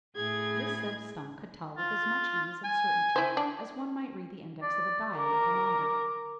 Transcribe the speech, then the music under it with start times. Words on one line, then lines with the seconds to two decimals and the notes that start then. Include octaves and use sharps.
This Zeb Stump could tell with as much ease and certainty, as one might read the index of a dial, or thermometer.
0.16 A2 G#4 G#6
1.78 F4
2.64 G#5
3.16 E4 C5
3.37 D4
4.62 D5
5.18 A#4 D6